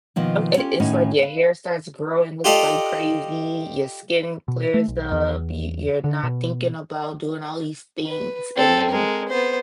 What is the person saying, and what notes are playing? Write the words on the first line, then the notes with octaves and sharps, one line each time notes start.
it it's like your hair starts growing l like crazy, your skin clears up, you you're not thinking about doing all these things, and then
B2 D#3 F3 A#3
C#4 F4 G4 A4
A2 D#3 C#4 D#4 F#4
B4 F5
F4 G4 A4 D5 D#5 F5
B2
A3
B1
E2
D3
B2
B4
C4 A4
G#3 A#4
B3 C5